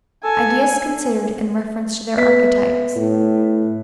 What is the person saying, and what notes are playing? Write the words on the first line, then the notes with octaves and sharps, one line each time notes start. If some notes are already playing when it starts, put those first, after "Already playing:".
Ideas considered in reference to their Archetypes.
A4 G#5
B3 E5 B6
A2